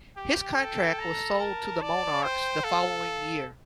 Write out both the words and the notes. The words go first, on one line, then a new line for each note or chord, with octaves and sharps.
His contract was sold to the Monarchs the following year.
G4 G5
A4 G5
A#5
A#4 A5
D5
C5 G5
A4 F5